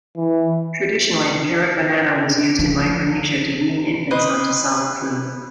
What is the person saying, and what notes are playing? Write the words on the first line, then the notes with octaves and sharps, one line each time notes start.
Traditionally, the Karat banana was used in Micronesia to wean infants onto solid food.
E3
F3
B4 C5 D#5 D#6